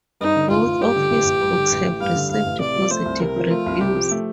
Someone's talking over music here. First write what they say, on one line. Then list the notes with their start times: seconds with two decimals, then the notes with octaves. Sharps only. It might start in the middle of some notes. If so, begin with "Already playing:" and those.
Both of his books have received positive reviews.
0.21 G2 D#4
0.35 D3
0.50 A1 F4
0.66 A1
0.81 G2 G4
0.96 D3
1.10 A1
1.25 A1
1.41 G2
1.55 D3
1.71 A1
1.86 A1
2.00 G2 F5
2.15 D3
2.31 A1 F5
2.46 A1
2.60 C3 D5
2.76 F3
2.91 A3 C5
3.05 C2
3.20 C3 A#4
3.36 F3
3.51 A3 F4
3.66 C2
3.81 C3 G4
3.96 F3
4.11 A3